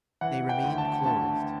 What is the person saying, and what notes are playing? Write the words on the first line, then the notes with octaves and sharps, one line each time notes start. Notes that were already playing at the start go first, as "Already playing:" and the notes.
They remained closed.
E3 F#5
G5
D2
A5
D2 A5